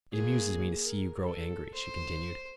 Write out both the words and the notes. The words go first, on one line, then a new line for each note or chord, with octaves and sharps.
"It amuses me to see you grow angry," she continued.
A#3 G#4
A#4
A4
C5